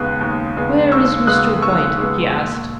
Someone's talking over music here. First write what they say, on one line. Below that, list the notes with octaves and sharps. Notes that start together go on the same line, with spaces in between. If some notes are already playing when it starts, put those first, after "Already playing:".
"Where is Mr. White?" he asked.
Already playing: D#2 C#3 G#3 B3 D#6 F#6
D#2
C#3 G#3 B3
D#2 C#6 E6
C#3 G#3 B3 D#6 F#6
D#2 C#6 E6
C#3 G#3 B3
A#2